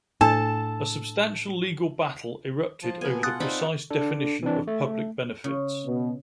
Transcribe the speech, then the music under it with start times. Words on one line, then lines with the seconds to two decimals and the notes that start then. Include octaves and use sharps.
A substantial legal battle erupted over the precise definition of public benefits.
0.21 A2 D4 A4 A5
2.83 F3 A5
3.01 B3 A4 G#5
3.23 B2 F4 F#5 D#6 F#6 A6
3.40 C4 D#4 D5 B5
3.91 D4 A4
4.43 E3 C4 D4
4.67 A3
5.44 C#3
5.86 B2